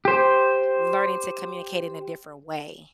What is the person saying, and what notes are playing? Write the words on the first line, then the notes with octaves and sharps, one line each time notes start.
learning to communicate in a different way.
G4 C5